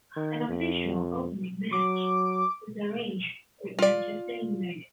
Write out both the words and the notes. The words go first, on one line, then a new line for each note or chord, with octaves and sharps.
An official opening match was arranged with Manchester United.
D#3
F2
F#3 D6
F4 D5